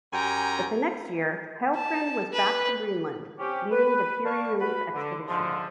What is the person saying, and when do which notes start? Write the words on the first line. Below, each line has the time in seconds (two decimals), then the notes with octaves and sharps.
But the next year Heilprin was back to Greenland, leading the "Peary relief expedition".
0.12 F#2 G4 G5 G#5 A#5
1.74 A5
2.32 B4
3.39 C4 C#4 G4
3.72 B4
4.25 D5 F5 A5 C#6
4.60 F#4 B4 B5
4.94 D3
5.28 G#2 D3 F3